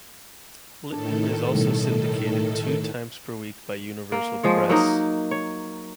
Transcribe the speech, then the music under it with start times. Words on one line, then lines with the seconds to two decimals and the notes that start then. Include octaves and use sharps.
Litton is also syndicated two times per week by Universal Press.
0.92 A2 D#3 D4 A4
1.55 B2 G3
4.12 A#3
4.43 F3 G#3 C#5
4.69 F#3 A#3 D#4
5.31 C#5